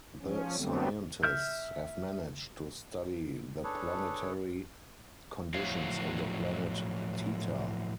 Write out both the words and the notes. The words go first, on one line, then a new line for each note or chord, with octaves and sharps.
The scientists have managed to study the planetary conditions on the planet Theta.
F3 C#4
D3 F#3 G3 A3 B3 C4
E5 F6 G6
D4 G#4 A4 B4 C#5
A2 F3 F#3 C#5 F5